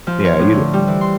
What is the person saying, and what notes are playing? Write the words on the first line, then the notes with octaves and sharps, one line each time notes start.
Yeah, you d
F3
C#5
A2
D3
G3
E3
C6